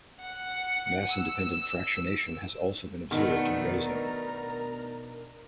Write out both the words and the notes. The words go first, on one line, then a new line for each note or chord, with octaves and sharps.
Mass-independent fractionation also has been observed in ozone.
F#5
E6
B2 D#3 A3 B3 D4 D#4 A#4